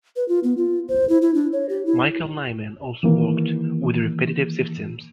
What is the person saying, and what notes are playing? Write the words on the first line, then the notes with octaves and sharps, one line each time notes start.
Michael Nyman also worked with repetitive systems.
B4
F4
B3
F4
C5
E4
E4
D4
C#5
G4
E4
D#3 E3 A#3